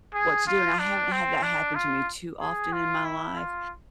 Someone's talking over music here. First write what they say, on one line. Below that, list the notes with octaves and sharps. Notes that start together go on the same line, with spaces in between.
what to do, and I haven't had that happen to me too often in my life,
G#4
F4
D4
C4
D4
F4
G#4
F4
E4
F4